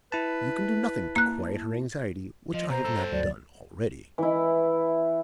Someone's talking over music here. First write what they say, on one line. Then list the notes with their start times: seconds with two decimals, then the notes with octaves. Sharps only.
You can do nothing to quiet her anxiety which I have not done already.
0.12 E4 B4 A5
1.16 A#3 F#6
2.54 F3 D#5
2.70 B2 C5 A#5
2.84 G2 A4 E6
3.12 D2 F#3 D5
4.18 E3 E4